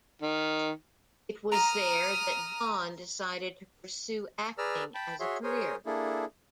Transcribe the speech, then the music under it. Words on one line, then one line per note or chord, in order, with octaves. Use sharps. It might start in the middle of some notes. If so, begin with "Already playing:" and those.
It was there that Vaughn decided to pursue acting as a career.
D#3
A#5 D#6 F6
G#4 B4 D5 A#5 E6 F6
G5 A5 B5
F#4 G#4 C#5 E5 C6
G#4 A#4 C5 C#5 G#5
A#3 D4 E4 G#4 A4